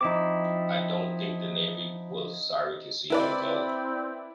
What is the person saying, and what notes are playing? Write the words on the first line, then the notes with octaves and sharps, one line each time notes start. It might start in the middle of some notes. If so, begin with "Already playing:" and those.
I don't think Navy was sorry to see him go.
F3 C4 D#4 E4 D6
C4 E4 B4 D5